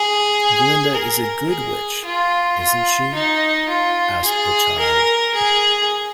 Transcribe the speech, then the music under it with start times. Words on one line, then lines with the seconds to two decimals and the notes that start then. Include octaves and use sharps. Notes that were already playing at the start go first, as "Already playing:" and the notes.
Glinda is a good Witch, isn't she? asked the child.
Already playing: G#4
0.94 A#4
1.49 G#4
2.05 F4
2.59 F4
3.14 D#4
3.69 F4
4.24 G#4
4.79 A#4
5.34 G#4